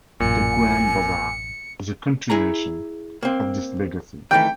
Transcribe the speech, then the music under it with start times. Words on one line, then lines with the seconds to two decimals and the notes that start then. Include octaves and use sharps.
The Grand bazaar is a continuation of this legacy.
0.20 A1 F#2 A#2 G#5 C#7
2.30 E4 G#4 A#5
3.23 A#3 C4
4.31 D#3 E3 A3 G5